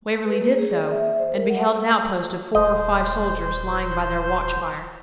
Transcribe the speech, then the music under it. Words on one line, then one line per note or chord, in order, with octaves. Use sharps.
Waverley did so, and beheld an outpost of four or five soldiers lying by their watch-fire.
B4
A#3
G#4
D5
E5
E5
C5
A#4
F#5
D#1 C5 D#5